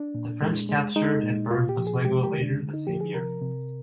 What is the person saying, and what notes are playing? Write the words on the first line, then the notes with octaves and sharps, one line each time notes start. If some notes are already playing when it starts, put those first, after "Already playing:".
The French captured and burned Oswego later the same year.
Already playing: D4
A#2
G#3
G#3
G#3 D#4
A#2
A#2 F4
G4
F3
G#4
G#3 G4
G4
D3
D4
D3
D#4
F3 G4
G#4
C3 A#4
C3